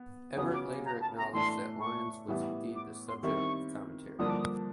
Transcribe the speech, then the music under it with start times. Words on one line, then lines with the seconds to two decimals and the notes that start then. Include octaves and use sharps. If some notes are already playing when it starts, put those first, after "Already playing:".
Ebert later acknowledged that Lyons was indeed the subject of the commentary.
Already playing: B3
0.37 C#3 F#3 B3 D#6
0.54 D6
0.86 A#5
1.01 A5
1.18 A#5
1.33 A2 E3 A3 D4 C6
1.80 C#6
2.28 A2 E3 G3 B3 E4
2.76 D6
3.08 C6
3.23 D#3 G3 C4 E4 C#6
4.19 G2 D3 F3 A#3 D4 D#6
4.30 D6
4.39 D#6